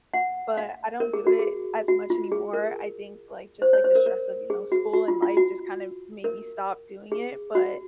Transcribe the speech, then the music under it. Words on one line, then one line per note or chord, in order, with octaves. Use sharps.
but I don't do it as much anymore. I think, like, just, like, the stress of, you know, school and life, just kind of, made me stop doing it, but
F#5
F5
A#4
G#4
F#4
G#4
F#4
F4
G#4
A#4
C5
C#5
C5
A#4
A#4
G#4
F#4
F#4
F4
F4
F#4
A#4
G#4
F#4